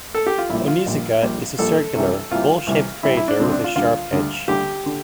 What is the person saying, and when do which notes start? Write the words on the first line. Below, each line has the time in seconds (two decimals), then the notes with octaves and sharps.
Onizuka is a circular, bowl-shaped crater with a sharp edge.
0.15 A4
0.26 G4
0.38 F4
0.50 A#1 A#2 G3 E4
0.68 F4
0.86 A#1 A#2 G3
1.22 A#1 A#2 G3
1.58 A#1 A#2 G3 A4
1.95 C2 C3 E3 G3
2.31 C2 C3 E3 G3 F4
2.67 C2 C3 E3 G3
3.03 C2 C3 E3 G3 E4
3.17 E4
3.28 D4
3.39 D2 D3 G3 C4
3.52 D4
3.64 F4
3.76 D2 D3 G3 F4
4.12 D2 D3 G3
4.48 D2 D3 G3 G4
4.86 D3